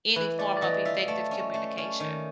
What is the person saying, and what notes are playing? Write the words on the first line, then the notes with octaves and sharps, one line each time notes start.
any form of effective communication.
E3 B4
A3 D5
D5
E3 D#5
F4 E5
A3 A5
C#4
A3
C#4
D#3